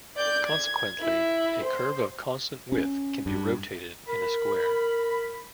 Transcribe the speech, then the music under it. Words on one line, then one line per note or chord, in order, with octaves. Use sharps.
Consequently, a curve of constant width can be rotated in a square.
D5 G6
G#6
E4
C5
C#4
G2
A#4 B5